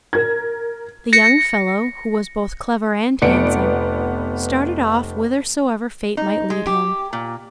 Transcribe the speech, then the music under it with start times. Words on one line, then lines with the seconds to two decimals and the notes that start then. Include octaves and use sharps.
The young fellow, who was both clever and handsome, started off whithersoever fate might lead him.
0.13 A#4 G#6
1.13 A#6 C#7
3.22 F1 B3 D5 C#7 D7
6.17 D#4
6.50 G#3
6.67 G4
7.13 A#2